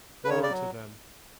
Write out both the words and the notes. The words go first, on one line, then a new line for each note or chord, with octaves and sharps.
Woe unto them!
B4
C#3 C#5
D5
F#3